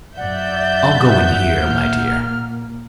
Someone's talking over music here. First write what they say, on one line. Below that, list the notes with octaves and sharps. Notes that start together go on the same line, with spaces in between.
"I'll go in here, my dear."
F#2 D5 E5 F#5 G6
A#2 A#3 F6